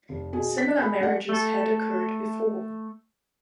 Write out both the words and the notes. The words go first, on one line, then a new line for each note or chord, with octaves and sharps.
Similar marriages had occurred before.
F1
B2 G#4
B6
G#4 B5
G#3 A3 D5 F#5
A3 A4